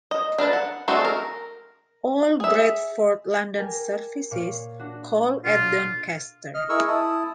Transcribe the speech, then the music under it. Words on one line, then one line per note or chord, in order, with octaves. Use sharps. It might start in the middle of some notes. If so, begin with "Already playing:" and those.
All Bradford-London services call at Doncaster.
D#5
D4 A#4 B4 A5
F#5
G#3 A3 C4 D4 F#4
A#4
G#4 E5
G4 A#4 G#5
A#2 C#5 F5
D4 F#4
B1 D4 F4 F#4
D#5 F6
E4 G#4 A#4 D#5 C#6 E6
E4 A5 D#6